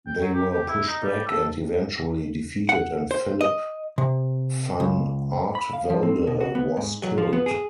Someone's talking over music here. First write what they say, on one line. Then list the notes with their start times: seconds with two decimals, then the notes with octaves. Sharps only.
They were pushed back and eventually defeated and Philip van Artevelde was killed.
0.07 G5
0.21 F#3
0.34 G4
0.52 G4
0.68 E4
0.87 D#4
1.03 G3
1.27 A4
2.69 F#5
3.11 C5
3.41 D#5
3.98 C3
4.80 C#2
5.55 B5
5.73 F5
5.90 F3
6.03 C4
6.27 B2
6.41 F#4
6.55 B3
6.77 G#2
7.03 F#3
7.18 F3
7.33 B3
7.46 G#4